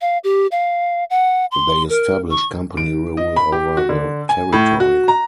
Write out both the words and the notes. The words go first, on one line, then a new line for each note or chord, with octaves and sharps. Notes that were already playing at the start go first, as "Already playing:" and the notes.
They established company rule over the territory.
F5
G4
F5
F#5
C6
A#4
C#6
D7
D#5
B5
G4
F#4
D3
G#5
A2
F#4
A#5